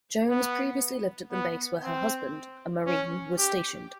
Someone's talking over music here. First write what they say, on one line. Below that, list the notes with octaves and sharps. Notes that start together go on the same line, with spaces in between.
Jones previously lived at the base where her husband, a Marine, was stationed.
B3
B3
C4
C#4
G4